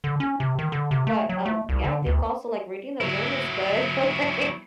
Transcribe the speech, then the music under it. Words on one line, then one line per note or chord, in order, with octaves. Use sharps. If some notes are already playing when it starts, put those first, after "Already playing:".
But, um, yeah, I think also, like, reading the room is good, like,
D3
C#4
C3
D#3
D3
C3
A3
F#3
A3
C2
D3
D2
F#3 E4